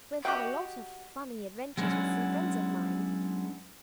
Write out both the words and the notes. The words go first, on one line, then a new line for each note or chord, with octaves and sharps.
We'll have a lot of funny adventures with some friends of mine.
F#4 G4 D#5 F#5 G5
F#3 G#3 B3 C#4 D4 E4